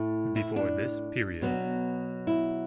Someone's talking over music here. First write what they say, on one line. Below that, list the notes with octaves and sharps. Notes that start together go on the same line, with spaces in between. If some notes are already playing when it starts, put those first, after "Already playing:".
Before this period.
Already playing: A2 A3
E4
D4
B2 F#3 B3
E4